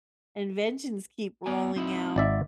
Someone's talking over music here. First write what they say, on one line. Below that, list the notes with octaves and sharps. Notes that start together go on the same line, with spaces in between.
inventions keep rolling out.
B3 D5 G#5
C4 D#4 E4
G#1 D5 E5